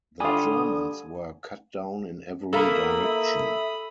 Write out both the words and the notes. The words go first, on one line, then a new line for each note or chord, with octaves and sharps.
The Germans were cut down in every direction.
D3 G3 F4 G#5 D#6
A#3 E4 A4 A#4 B5 D#6
E5